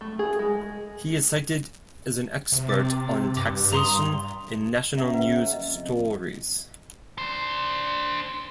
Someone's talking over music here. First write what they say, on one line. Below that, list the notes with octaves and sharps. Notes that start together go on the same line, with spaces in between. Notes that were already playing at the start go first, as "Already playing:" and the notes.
He is cited as an expert on taxation in national news stories.
A3
G#4
G#3
C3
D6 A6
G2 D6
A#5 C6 D#6
C#3 E5 G5 A#5
B4 F#5
F#1 D#5
F2
D4 C5